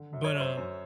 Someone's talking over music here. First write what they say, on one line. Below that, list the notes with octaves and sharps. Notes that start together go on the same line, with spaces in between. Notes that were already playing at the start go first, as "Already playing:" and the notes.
but, um,
Already playing: D3
F#2
C#5
F#2
C5
F#2